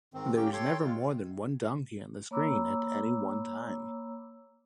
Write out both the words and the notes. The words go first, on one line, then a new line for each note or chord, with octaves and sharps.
There is never more than one donkey on the screen at any one time.
G#2 D#3 C4
A#3 C#4 G4 G5
A4 C#5 G5 C6
G#3 F4
A#3 C#5 A#5 B5 D6 E6